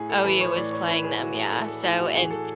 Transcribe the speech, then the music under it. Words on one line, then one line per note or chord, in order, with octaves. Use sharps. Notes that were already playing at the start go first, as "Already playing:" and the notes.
OU was playing them, yeah, so, and
Already playing: A2 G#4
A4
E3 B4
C#5
A2 D5
C#5
E3 B4
G#4
A2 F#4
G#4
G#4
E3 A4
A4
A2 G#4
F#4
E3 G#4
A4